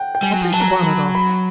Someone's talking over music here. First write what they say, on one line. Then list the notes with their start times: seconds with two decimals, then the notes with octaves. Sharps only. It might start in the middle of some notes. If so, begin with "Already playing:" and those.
"I'll take the bonnet off."
Already playing: F#5 G5
0.15 G5
0.22 G3 G#5
0.33 F#3
0.42 F3
0.52 F#3 A5
0.60 A#5
0.68 A5
0.84 B5
1.15 B5